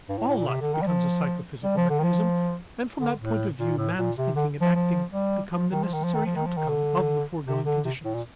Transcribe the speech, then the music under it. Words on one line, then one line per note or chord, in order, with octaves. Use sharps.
All life becomes a psychophysical mechanism and from that point of view man's thinking and acting become the necessary outcome of the foregoing conditions.
G2
A2
A2
A#2
C3
D3
D#3
G3
F3
G3
F3
D3
D#3
F3
D3
A2
A#2
A2
A#2
C3
D3
F3
F3
G3
F3
D#3
F3
D#3
F3
D#3
F3
D#3
F3
D#3
D3
C3
D3
C3
A2
A#2